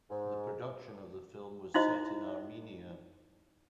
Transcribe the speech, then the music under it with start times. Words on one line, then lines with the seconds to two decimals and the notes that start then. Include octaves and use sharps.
The production of the film was set in Armenia.
0.10 G#2
1.74 D#4 E4 F#4 C5 D#5